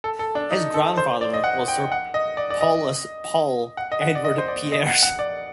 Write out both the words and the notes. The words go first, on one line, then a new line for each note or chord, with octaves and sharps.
His grandfather was Sir Paulus "Paul" Edward Pieris.
A4
A4
D4
D#4
A4
C5
D5
D#5
F#5
G5
F#5
D#5
D5
D5
D#5
F#5
D#5
F#5
D5
D#5
C5
D5
D#5
F#5
F#5
D5